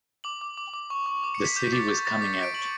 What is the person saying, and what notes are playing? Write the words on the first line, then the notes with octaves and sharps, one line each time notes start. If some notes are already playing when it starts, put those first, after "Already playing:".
The City was coming out!
D6 F#7
D6
D6
D6
C#6
C#6
D6
C#7
D6 B6
D6 G6
D6 A6
D6 G6
D6 A6
D6 B6
C#7
D6 D7
C#6 F#7